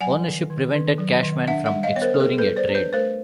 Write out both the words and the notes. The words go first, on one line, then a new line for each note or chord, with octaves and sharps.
Ownership prevented Cashman from exploring a trade.
F#3 F#5 G#5
D#3
D#3
D#3
F#3
D#3
D4 E5 F#5
E5 F#5
G3
D#5 F5
B3 C#5
A#4 C5
A4
B3 G#4 A#4
A4 B4
G3
C5 D5
D4
B4 C#5
A3 A#4 C5